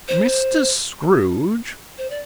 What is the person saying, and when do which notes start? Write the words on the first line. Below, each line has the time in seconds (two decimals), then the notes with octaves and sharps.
"Mr. Scrooge?"
0.08 C5
1.98 C5
2.10 D5